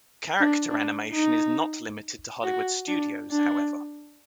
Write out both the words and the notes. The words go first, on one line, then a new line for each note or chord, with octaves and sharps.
Character animation is not limited to Hollywood studios, however.
D4
D4
D#4
F#4
D4
D4